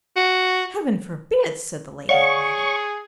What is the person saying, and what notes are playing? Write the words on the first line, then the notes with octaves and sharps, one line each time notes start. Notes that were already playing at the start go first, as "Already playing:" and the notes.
'Heaven forbid!' said the lady-in-waiting.
F#4
G#4 C#5 D5 F5 F#5 C#6